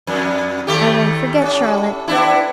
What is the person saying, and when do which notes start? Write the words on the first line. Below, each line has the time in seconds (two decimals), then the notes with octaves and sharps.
'I won't forget, Charlotte.'
0.07 F2
0.67 D#2 A3 G4
1.41 A2 C#4
2.08 B3 D4 E4